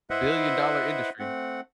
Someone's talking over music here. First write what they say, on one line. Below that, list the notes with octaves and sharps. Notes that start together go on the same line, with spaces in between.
Billion dollar industry.
E4 B4 C5 D#5 E5 F#5
A3 C4 F#5